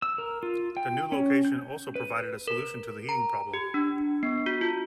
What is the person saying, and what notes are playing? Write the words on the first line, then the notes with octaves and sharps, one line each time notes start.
The new location also provided a solution to the heating problem.
E6
A#4
F4
G5
C#4
G6
B4
A#4
A#5
G4
D4
B3
F#4
F4